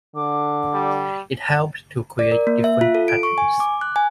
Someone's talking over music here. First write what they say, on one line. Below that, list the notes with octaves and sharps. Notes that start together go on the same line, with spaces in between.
It helps to create different patterns.
D3 D6
G3
D5
A#4
A#3
E5
F4
A4
D7
C#6
G#5
D6
F#6
G#5